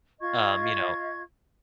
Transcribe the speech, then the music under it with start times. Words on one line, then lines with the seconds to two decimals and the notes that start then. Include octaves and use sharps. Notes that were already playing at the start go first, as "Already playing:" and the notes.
Um, you know.
0.20 F4 D#5 C#6 G#6